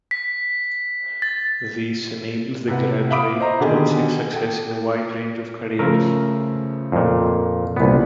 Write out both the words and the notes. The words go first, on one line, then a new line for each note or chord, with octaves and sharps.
This enables the graduate to achieve success in a wide range of careers.
B6
A6
C3 B4 F#5
E5 F5 B5 D6 D#6 D7
C5 D#5 A#5
B2 D3 D#3 G4 G#4
A4 G5
C#3 F3 A3 A#4
F2 A#2
C2 A#2 C#3 B3